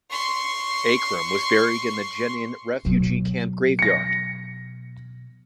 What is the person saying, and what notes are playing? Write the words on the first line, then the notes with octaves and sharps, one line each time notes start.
Akram was buried in the Jenin refugee camp graveyard.
C6 C#6
B2 F#3
A#6 C#7